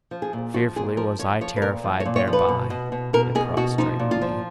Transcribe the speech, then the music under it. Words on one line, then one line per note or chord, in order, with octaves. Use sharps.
Fearfully was I terrified thereby: it prostrated me.
F3
G#4
A#2
F3 F#4
A#2 G#4
F3 A#4
F3 C#5
F3 C#5
B4
A#2 A#4
F3
C#5
A#2
C#5
F3
B4
B2
B2
B2
B2 A#4
B2 G#4
B2 F#4
F3 D#4
A#2
F4
F3